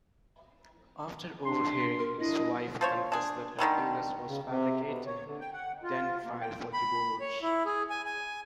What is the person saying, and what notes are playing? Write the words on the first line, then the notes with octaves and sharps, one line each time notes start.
After over-hearing his wife confess that her illness was fabricated, Den filed for divorce.
D4 C6
A#4
D4 E4 D#5
F3 C5 C#5
D4 G#4
D3 D#3 F#3 G3
C#3
C3
B2
C#5
D3
G5
F#5
F4
A#3
G5
B5
C#5
E4
G#4
G#5
G#5